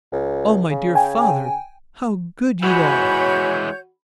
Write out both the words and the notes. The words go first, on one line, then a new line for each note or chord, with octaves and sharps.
Oh, my dear Father, how good you are!
C#2
C#3
G5 G#5
E3 G#3 F#4 C#5 G#5 B5 G6